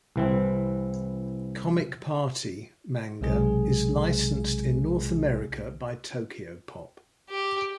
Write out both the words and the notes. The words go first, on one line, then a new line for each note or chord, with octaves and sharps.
"Comic Party" manga is licensed in North America by Tokyopop.
C2 E3 C4
B1 C3 G#3 G#4
G4